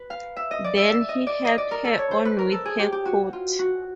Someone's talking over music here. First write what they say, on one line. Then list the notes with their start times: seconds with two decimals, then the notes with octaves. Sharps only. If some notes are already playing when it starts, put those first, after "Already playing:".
Then he helped her on with her coat.
Already playing: B4
0.10 F5
0.36 E5
0.51 D#5
0.64 D5
0.77 E5
0.91 E5
1.09 D#5
1.27 D5
1.45 D#5
1.58 D5
1.71 A#4
1.85 A4
1.99 C#5
2.11 C5
2.25 B4
2.39 A#4
2.52 A4
2.65 G#4
2.79 G4
2.92 G4
3.05 F#4
3.33 F4
3.59 F#4